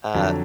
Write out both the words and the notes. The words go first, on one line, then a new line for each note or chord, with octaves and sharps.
uh, eh,
F2 D3 F#3